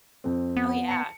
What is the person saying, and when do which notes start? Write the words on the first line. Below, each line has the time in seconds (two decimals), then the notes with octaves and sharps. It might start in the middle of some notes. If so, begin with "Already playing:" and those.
Oh, yeah.
0.24 F2 C4
0.56 B3
0.88 A5 C#7